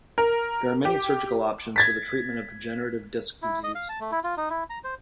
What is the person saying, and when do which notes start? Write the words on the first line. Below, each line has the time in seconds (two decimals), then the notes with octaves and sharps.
There are many surgical options for the treatment of degenerative disc disease.
0.18 A#4
0.85 G4
1.76 G#6 A6 B6
3.42 E4
3.63 D#5
3.75 F5
3.89 A5
4.01 A3
4.12 E4
4.24 F4
4.37 D#4
4.50 E4
4.70 A#5
4.84 C5